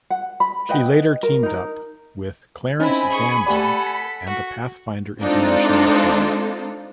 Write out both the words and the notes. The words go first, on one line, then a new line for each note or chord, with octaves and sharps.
She later teamed up with Clarence Gamble and the Pathfinder International Fund.
F#5
B5
B4 D#5 F#5 G5
A#4
D#4 A#4
C4 C#4 D#4 E4 G#5 B5
G#4 C#6
A3 G4 A4 D5 F#5
B6
F#4
G#3 C4 D4 D#4 F4 A4